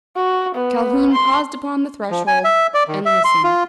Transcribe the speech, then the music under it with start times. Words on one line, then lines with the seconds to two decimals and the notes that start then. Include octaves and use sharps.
Calhoun paused upon the threshold, and listened.
0.16 F#4
0.55 B3
1.13 C6
2.11 F3
2.27 G#5
2.44 E5
2.74 D5
2.88 D#3
3.06 E5
3.24 C6
3.44 F4